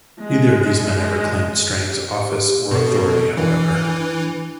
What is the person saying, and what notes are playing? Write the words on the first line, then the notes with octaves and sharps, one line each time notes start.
Neither of these men ever claimed Strang's office or authority, however.
G#3
G#3
G4
B2 A4
A4
E3 D4